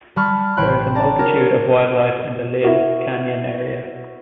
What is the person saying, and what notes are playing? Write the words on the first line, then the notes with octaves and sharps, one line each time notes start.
There is a multitude of wildlife in the Lynn Canyon area.
G3 A5 B5 C#6 F6
A1 C#5 G5 B5 C6 F#6
D5 A5 A#5
C4 D4 F#4 A#4 C#5
E4 F#4 A#4